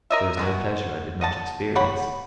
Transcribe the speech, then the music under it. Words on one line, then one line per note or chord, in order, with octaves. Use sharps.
There was no pleasure I did not experience.
A#4 D#5 E5
B2 G#3 F#4
D#5 F#5 A5
G4 C#5 F#5 B5